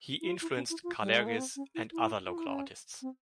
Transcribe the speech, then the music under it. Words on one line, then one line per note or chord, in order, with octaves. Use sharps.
He influenced Kalergis and other local artists.
E4
F4
E4
C#4
E4
F4
G3
G#3
A#3
C4
C#4
E4
E4
F4
E4
C#4
C4